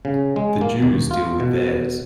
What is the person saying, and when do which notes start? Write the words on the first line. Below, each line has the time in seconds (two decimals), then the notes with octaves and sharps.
The Jews deal with theirs.
0.05 C#3
0.36 G#3
0.61 A#3
0.82 D#2
1.11 F4
1.40 B2